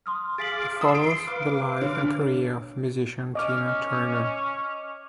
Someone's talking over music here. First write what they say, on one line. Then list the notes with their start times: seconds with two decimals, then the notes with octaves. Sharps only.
It follows the life and career of musician Tina Turner.
0.06 C6 D#6 F6
0.38 G#4 F5 D6 A6 B6 F#7
0.81 C6 D#6 E6
0.95 C6 D7
1.27 B4 F5 D6
1.81 D3 C#5
3.35 C#4 D#5 D6 F6